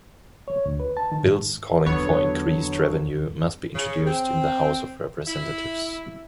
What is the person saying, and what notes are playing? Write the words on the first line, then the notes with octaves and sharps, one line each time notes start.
Bills calling for increased revenue must be introduced in the House of Representatives.
C#5
D2
B4
A5
D#3
G#2
E2 D3 F#3 B3 C#5
C#3
C4
E4